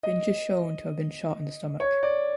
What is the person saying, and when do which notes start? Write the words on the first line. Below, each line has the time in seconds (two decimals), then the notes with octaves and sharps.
Finch is shown to have been shot in the stomach.
0.03 D#5
1.80 C#5
2.03 D5